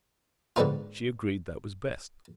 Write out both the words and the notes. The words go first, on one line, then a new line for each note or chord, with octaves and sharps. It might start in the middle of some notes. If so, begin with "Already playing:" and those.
She agreed that was best.
G#2 D3 G3 B3 D#4 F4